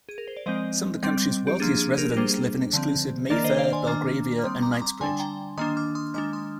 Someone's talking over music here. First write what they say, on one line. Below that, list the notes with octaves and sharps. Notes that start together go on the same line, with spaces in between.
Some of the country's wealthiest residents live in exclusive Mayfair, Belgravia and Knightsbridge.
G#4
A#4
C5
D5
F3 G#3 C4 C5 D#5
G3 C4
G4
F3 A#3 D4 G#4
G#4
G#4
G4 A#4
A#4
G3 A#3 D4 G#4 C5
D3 F3 C4
D#3 A#3 D4 A#4 D5
C5 D#5
D5 F5
G#5 C6
D#3 A#3 D4 A#5 D6
F6
G3 C4 C6 D#6
A#5 D6
D#6
A#5 D6
D3 G3 D4 G#5 C6
G5 A#5
D#3 A#3 D4 C6 D#6
D6 F6
C6 D#6
D#3 G#3 D4 D6 F6
C6 D#6